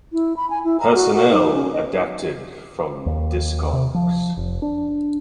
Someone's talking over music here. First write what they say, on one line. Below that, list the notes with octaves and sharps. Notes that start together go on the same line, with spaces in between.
Personnel adapted from Discogs.
E4
B5
G#5
E4
A#5
F#4
F#4
D#4
C#4
D#5
D#2
C3
F3
F1
D4